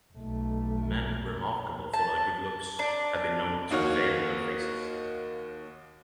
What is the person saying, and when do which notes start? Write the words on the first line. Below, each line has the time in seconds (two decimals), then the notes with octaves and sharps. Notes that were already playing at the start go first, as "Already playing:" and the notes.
Men remarkable for their good looks have been known to veil their faces.
0.17 B1 A3
1.93 A5
2.79 D4
3.70 D#2 D#3 A#3 F#4 C#5 F6